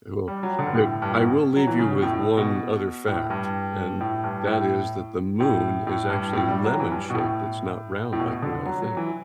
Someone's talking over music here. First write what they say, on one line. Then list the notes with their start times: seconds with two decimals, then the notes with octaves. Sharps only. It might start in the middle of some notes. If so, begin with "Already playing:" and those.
Well, look, I will leave you with one other fact, and that is that the moon is actually lemon shaped it's not round like we all think.
0.28 G3
0.43 F#3
0.59 D3
0.66 G2
0.74 A2
1.02 G2
1.11 A2
1.20 B2
1.56 F#3
1.67 E3
1.79 C#3
1.91 B2
2.02 A2
2.14 A2
2.37 B2
3.07 A2
3.30 G2
4.00 A2
4.24 G2
4.47 A2
5.40 A2
5.87 A2
6.10 G2
6.33 A2
6.48 G3
6.64 F#3
6.80 E3
6.92 G2
7.10 B2
7.15 A2
8.13 A2
8.20 B2
8.43 D3
8.66 F#3
8.82 F#3
8.97 E3